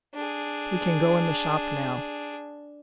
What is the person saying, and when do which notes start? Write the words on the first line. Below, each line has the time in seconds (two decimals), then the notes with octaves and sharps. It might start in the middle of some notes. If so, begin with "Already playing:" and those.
"We can go in the shop, now."
0.15 D4 G#4